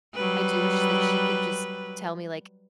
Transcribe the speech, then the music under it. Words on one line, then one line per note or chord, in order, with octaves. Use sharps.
I do wish that she could just tell me, like
F#3 G3 B4